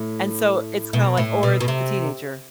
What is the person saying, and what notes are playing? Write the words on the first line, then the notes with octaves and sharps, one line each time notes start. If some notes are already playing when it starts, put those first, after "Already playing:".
And so, it's kinda, like or the teenager
Already playing: A2
B2
A2
B2
B2
C3